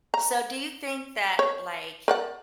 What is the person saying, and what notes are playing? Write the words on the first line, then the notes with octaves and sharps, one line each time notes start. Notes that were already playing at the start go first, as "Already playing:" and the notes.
So, do you think that, like,
A#5
C#5
A#4 D5 F#5